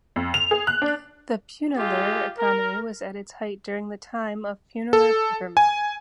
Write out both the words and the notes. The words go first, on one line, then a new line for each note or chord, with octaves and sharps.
The Punalur economy was at its height during the time of Punalur Paper Mill.
F2
F7
G#4
F#6
D4
G#3 F4 G4
A#4
A4
G#5